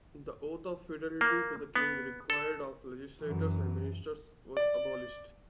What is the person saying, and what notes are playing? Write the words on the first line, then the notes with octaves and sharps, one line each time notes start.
The oath of fidelity to the king required of legislators and ministers was abolished.
A#3
B3
A4
F#2 E3
D5